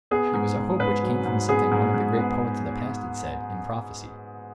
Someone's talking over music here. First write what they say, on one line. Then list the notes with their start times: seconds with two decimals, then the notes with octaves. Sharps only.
It was a hope which came from something one of the great poets of the past had said, in prophecy.
0.11 B3 G#4
0.34 G#2
0.57 G#2
0.80 G#2 B4
1.03 F#3
1.25 G#2
1.49 B3 G#4
1.71 G#2
1.94 G#2
2.17 B3